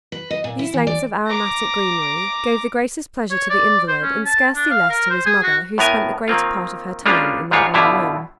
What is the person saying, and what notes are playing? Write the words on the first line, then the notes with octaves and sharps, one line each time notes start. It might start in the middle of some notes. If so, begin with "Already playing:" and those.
These lengths of aromatic greenery gave the greatest pleasure to the invalid, and scarcely less to his mother, who spent the greater part of her time in that one room.
B4
D#5
A#2
E4
E3
D5
A#5 D6
C#5
D5
C5
C#4
A5
D4
F5
A#4
C5
G#4
F#4
A2 B3 A#4 G#5
D#3 A#3 C4 F4
G3 G#3 A#3 C#4 D4 F4
G#2 G3 G#3 F4 C#5
G2 B2 D3 G3 E4 F4